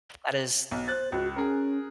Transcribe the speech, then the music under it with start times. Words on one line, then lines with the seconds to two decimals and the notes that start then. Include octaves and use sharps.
That is
0.71 B1
0.88 C5 F#6 A6
1.12 C#2 F#4
1.36 C#4 G#4 A#4